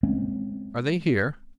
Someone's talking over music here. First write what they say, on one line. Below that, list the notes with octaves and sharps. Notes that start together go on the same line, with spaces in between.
"Are they here?"
G#3 A#3 C4 C#4